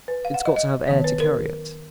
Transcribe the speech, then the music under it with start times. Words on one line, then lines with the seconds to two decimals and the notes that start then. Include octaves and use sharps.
It's got to have air to carry it!
0.08 B4
0.25 F5
0.34 F#5
0.46 D#5
0.56 D#5
0.88 F2 D#3 F#3 B3 C#5
1.04 B4
1.20 A#4